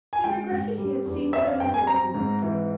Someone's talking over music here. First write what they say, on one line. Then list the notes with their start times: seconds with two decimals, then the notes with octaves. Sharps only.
He regretted he had seen so little of you lately.
0.13 G#5
0.24 G#3 G5
0.51 G#2
0.78 G3
1.06 E2
1.33 C4 E5
1.47 F5
1.60 G2 G5
1.74 G#5
1.87 C4 A#5
2.15 G#2
2.42 E3